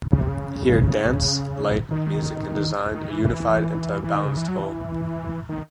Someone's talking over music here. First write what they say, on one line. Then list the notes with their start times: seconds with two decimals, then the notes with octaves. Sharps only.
Here dance, light, music, and design are unified into a balanced whole.
0.12 C#3
0.20 C3
0.28 C#3
1.91 D#3
2.95 D#3
3.10 E3
3.24 E3
4.04 E3
4.14 D#3
4.26 C#3
4.37 E3
4.48 F#3
4.59 E3
5.49 D#3